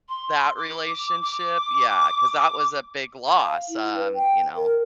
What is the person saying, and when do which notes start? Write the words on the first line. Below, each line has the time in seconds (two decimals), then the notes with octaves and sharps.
that relationship, yeah, 'cause that was a big loss, um, you know,
0.08 C6
0.56 D6
1.21 D6
3.36 F5
3.69 E4
3.96 B4
4.14 G5
4.56 A#4